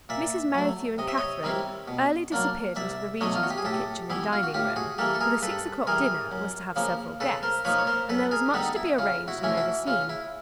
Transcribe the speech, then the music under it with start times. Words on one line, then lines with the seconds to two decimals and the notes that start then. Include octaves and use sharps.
Mrs. Merrithew and Katherine early disappeared into the regions of the kitchen and dining-room, for the six o'clock dinner was to have several guests, and there was much to be arranged and overseen.
0.09 A#2 D5 E5
0.54 F#3 A3
0.98 C3 D#5
1.08 E5
1.18 C#5 D#5
1.43 D#3 G3 C4 E4
1.88 B2
2.32 F#3 A#3 D4
2.76 C2 D5 E5
3.21 B2 F#3 A3 D4 C#5 D#5
3.36 F4
3.43 F#4
3.50 G4
3.58 G#4
3.65 A2 G4 A4
4.10 E3 G3 B3 E4
4.33 F4
4.43 F#4
4.54 A2 F4 G4
4.76 F#4 G#4
4.98 E3 G3 A#3 G4 A4
5.15 A4
5.20 G#4 A#4
5.42 G2 A4 B4
5.87 E3 G3 G#4 A#4
6.31 F#2
6.76 C#3 F3 A#3
7.20 C#3 A4 B4
7.43 A#4 C5
7.65 F3 A#3 D#4 B4 C#5
7.78 C#5
7.87 A#4 C5
8.09 F#2 A4 B4
8.31 G#4 A#4
8.54 D3 G3 B3 D#4 G4 A4
8.76 E4
8.98 C#3 F4
9.28 E4 F#4
9.43 E3 A3 C#4 E4
9.57 E4 F#4
9.87 C#3 F4
10.09 E4